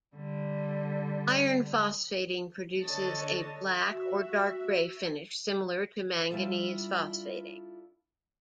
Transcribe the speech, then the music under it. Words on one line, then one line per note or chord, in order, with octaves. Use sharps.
Iron phosphating produces a black or dark gray finish similar to manganese phosphating.
D3 G3
D3 C#5 D#5 A5
F#4 E5
G3 D4 E4 F4 A4